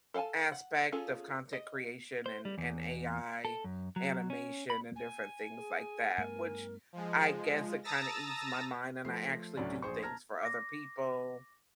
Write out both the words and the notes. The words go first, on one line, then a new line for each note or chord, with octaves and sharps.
aspect of content creation and and AI animation and different things like that, which I guess it kinda ease my mind, and I actually do things for other people,
A4 F5 F#5 G#5 A5
F#5
C#4 F4 G#4 A4
D#5
C5
G3
E2
A4
F#2
F#3
C#4
B5
G#5
G#4
G2 A3 B3 A#4
F3 G#3
A5 A#5 D#6 E6 A6 A#6
F3 A3 C7
D2 A2 F#3 C#4 D5
A#1 G#4 C5 C#6
A5 A#5 F6 G#6 A#6
D6 A#6